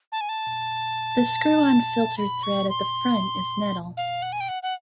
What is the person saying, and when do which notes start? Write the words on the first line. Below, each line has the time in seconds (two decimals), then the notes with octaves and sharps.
The screw-on filter thread at the front is metal.
0.12 A5
0.21 G#5
0.29 A5
2.18 B5
2.43 C#6
2.69 C6
3.97 F5
4.22 F#5
4.32 G#5
4.40 G5
4.48 F#5
4.63 F#5